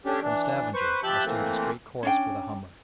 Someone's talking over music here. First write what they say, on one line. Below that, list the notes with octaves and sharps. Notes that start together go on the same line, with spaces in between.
From Stavanger I steered a straight course for the Humber.
A3 C#4 D4 G4
E3 D4
B4 C5 C#6
F3 G4 E5 A5 F#6 G6
E3 A3 A#3 C4
C#4 D4 G5